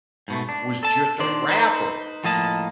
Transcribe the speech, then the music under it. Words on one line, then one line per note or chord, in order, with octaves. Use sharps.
was just a wrapper,
G#2 B2 A3
D4
A4 A5
D#3 D4 C5 D5
D#4 B4 C5
A2 F3 A#3 D#5 A5